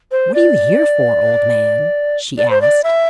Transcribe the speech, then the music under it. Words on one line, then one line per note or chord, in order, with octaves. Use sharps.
"What are you here for, old man?" she asked.
C5
D5
D5
C5
D5
E5